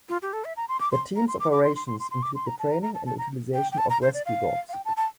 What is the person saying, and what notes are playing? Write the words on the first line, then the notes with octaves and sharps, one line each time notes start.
The team's operations include the training and utilisation of rescue dogs.
F4
G4
A4
E5
A#5
C6
D6
C6
A#5
C6
D6
D6
C6
C6
C6
C6
C6
D6
C6
A#5
A5
A#5
A#5
A5
A5
A#5
G5
G5
A5
A#5
C5
D5
F5
F5
G5
A5
A5